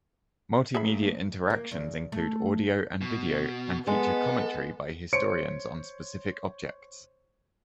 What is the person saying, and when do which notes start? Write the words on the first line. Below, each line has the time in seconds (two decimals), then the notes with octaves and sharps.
Multimedia interactions include audio and video, and feature commentary by historians on specific objects.
0.75 A3 A#3 G#4 E5 B5
1.50 A#3
1.71 E2
2.12 A3
3.01 B2
3.87 G#3 B3 A4
5.13 C5 C#5 C#7 D7